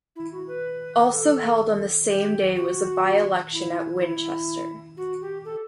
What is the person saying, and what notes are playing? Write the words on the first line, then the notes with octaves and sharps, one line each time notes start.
Also held on the same day was a by-election at Winchester.
E4
F#4
B4
A4
G4
F#4
E4
E4
F#4
G4
A4